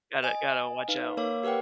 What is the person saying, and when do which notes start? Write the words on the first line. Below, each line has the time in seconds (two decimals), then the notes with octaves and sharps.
Gotta gotta watch out.
0.23 D#5 G#5
0.88 D#4 B4 F5
1.17 A#3 A#4 C#5 F5 D6
1.44 G4 A#4 B4 F#5 G5